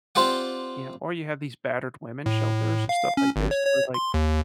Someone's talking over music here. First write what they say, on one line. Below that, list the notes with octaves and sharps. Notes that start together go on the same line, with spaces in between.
you know, or you have these battered women's shelters and stuff like this to where, like,
C4 F4 G4 D5 F#5
A2
F5
C#4
G#1
C#5
C#5
C6
D#2